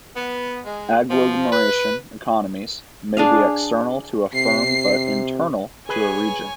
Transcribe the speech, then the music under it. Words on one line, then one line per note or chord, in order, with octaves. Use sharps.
Agglomeration economies may be external to a firm but internal to a region.
B3
G#3
F3
B4
D4 G#4 F5
C3 C7
G#4 B4 C#5 G#5